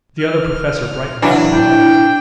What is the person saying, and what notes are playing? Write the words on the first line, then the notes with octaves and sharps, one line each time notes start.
The Other Professor brightened up in a moment.
F6
E3 F#3 D4
E4 G5